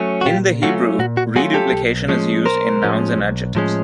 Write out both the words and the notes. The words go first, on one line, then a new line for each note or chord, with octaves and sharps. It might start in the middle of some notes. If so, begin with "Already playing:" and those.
In the Hebrew, reduplication is used in nouns and adjectives.
Already playing: F#3 A3 C#4
F#4
A#2 F4 G4
F#3 A3 C#4 F4 F#4
A#2 F#4
F#4
F#3 A3 C#4 F4 F#4 G#4
G4 A4
B1
A2 F3 G#3 C#4
B1 A#4 C5
A2 F3 G#3 C#4
B1
A2 F3 G#3 C#4